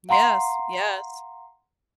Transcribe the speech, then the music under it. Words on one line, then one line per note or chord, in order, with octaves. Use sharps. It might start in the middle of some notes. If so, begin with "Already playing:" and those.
Yes, yes.
F5 F#5 A#5 C6 C7